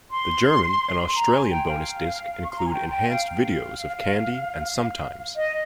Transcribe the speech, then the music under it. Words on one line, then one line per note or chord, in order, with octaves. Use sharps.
The German and Australian bonus disc include enhanced videos of "Candy" and "Sometimes".
C6
A#5
G#5
G5
F5
C#6
C6
A#5
G#5
G5
G5
F5
F5
D#5